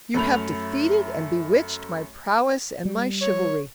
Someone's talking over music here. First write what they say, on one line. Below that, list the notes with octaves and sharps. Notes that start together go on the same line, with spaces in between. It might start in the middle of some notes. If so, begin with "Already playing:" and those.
You have defeated and bewitched my prowess and my chivalry.
F#2 A3 B5 F7
G3
C#5